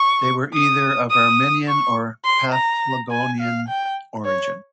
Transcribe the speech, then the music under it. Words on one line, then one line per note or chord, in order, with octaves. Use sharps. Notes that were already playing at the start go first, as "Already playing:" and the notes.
They were either of Armenian or Paphlagonian origin.
Already playing: C#6
D#6
D#6
C#6
C6
A#5
G#5
F5
G5
C#5